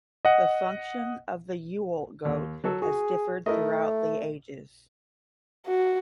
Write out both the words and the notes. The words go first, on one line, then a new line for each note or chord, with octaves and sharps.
The function of the Yule goat has differed throughout the ages.
D#5 F#5
D#2
F#3 F#4 A4
F#4 G#4
A3 E4 A#4 D#5
F#4